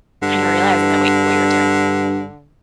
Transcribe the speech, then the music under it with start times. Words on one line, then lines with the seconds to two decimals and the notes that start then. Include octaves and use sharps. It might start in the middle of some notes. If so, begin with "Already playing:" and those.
kinda realizing that wha what you were doing
0.22 G2 D3